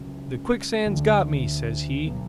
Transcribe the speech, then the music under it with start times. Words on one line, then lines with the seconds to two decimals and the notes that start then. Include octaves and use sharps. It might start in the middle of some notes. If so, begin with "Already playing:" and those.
The quicksand's got me,' sez he.
Already playing: C#2 C#3 F#3
0.86 D2 D3 F#3 A3
2.06 B2 F#3 B3